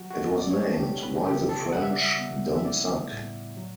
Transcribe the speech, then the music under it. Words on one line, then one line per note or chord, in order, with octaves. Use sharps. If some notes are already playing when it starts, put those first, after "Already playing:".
It was named "Why the French Don't Suck".
Already playing: F#3 F#4
F#4
B3
D5
C#5
B4
A4
D4 G4
B4
C#3 G4
A4
G3 F#5
E5
D5
E5
B3
E5
E4 D5
A2
F#3